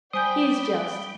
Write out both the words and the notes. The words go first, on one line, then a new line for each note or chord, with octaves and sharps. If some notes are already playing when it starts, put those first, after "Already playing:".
He is just.
G3 C5 D5 G5 G#5 B5 D#6 G6